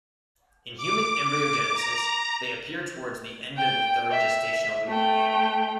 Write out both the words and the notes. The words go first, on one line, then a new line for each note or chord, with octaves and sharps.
In human embryogenesis they appear towards the end of the third gestational week.
D6
D6
A#5
G5
E5
A3 G5